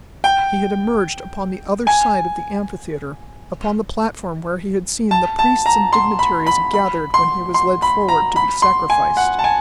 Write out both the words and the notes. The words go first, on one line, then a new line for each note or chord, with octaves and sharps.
He had emerged upon the other side of the amphitheatre, upon the platform where he had seen the priests and dignitaries gathered when he was led forward to be sacrificed.
G5
G#5
A5
A5
A#5
C6
B5
B5
B5
C6
C6
B5
A#5
B5
C6
G#5
F#5
A5
G#5